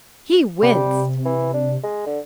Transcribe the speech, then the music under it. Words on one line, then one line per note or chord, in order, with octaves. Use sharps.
He winced.
C3 G3
E3
D4
G#3
D3